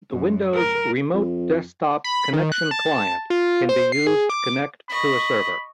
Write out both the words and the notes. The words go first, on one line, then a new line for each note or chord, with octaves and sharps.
The Windows' Remote Desktop Connection client can be used to connect to a server.
F#2
A#4
F2
B5
D#3
F#6
A5
F4
C5
C7
G#4
D6
D#5 B5 C#6